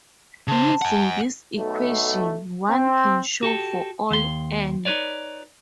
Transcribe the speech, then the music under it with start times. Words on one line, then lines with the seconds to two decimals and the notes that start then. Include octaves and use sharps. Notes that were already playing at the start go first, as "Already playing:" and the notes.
Using this equation, one can show for all "n".
0.48 C#3 C5 A5
0.82 F#5 G#5
1.56 B1 A3
2.69 C4
3.43 F#4 G4 A4
4.11 D#2 C6
4.85 D#4 F#4 B4 C#5 D5